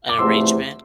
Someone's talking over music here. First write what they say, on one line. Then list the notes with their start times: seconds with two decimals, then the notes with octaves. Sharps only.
an arrangement?
0.09 D6
0.19 E2 C3 F3 A3 C6 E6